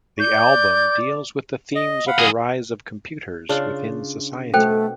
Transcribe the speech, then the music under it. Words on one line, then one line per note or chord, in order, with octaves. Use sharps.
The album deals with the themes of the rise of computers within society.
D5 G6
D#5
F5 F#5 B5
G#4 A#4
C#3 D4 F4
B2 A3 A4 C5 G5